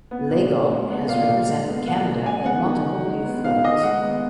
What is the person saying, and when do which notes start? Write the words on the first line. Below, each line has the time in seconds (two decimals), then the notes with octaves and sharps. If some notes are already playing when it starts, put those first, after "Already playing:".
Legault has represented Canada at multiple youth levels.
0.11 B3
0.31 A#2
0.50 A#2
0.70 G#3
0.90 B3
1.09 A#2 F5
1.29 A#2
1.48 G#3
1.67 B3
1.87 A#2 F#5
2.07 A#2
2.26 G#3 G#5
2.46 B3 F#5
2.66 D#3
2.85 D#3
3.05 G#3
3.25 B3
3.44 D#3 F5
3.64 D#3 D#5
3.83 G#3 F#5
4.03 B3